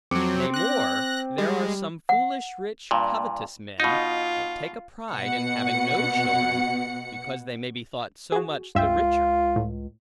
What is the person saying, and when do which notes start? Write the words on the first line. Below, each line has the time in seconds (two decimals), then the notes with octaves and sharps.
Nay more, there are some foolish rich covetous men, that take a pride, in having no children, because they may be thought so much the richer.
0.11 F2 F#3 C4 D6 C#7
0.54 F#6 A#6
1.38 G3 G#3
2.09 F#5
2.91 G2 A#2
3.80 B2 D#4 F4
5.10 B2 F#5 C#7
8.32 F#4 G#4
8.75 C#2 G2 F4 E5 G5
9.56 A2